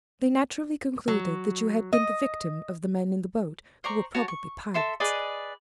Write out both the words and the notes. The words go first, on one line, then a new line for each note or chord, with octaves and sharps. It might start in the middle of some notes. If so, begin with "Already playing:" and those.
They naturally concluded that you had been the victim of the men in the boat, who were probably pirates.
F#3
D#5
C5 D5 A#5 C#6
F#4 C#5 A5
C#6
A4 E5 C6
G#4 B4 D5 D#5